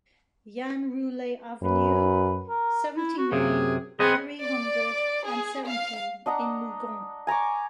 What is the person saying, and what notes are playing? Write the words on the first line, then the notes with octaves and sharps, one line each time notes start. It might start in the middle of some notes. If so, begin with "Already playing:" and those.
Yann Roullet avenue, seventy-nine, three hundred and seventy in Mougon.
F#2 B4
A#4
E4
F#4
F#2 C3 G#4
B3 C4 G#4 D#5
D5
G#4
F5
D4 D#5 F#5 A#5
G#5 A#5 C#6 D6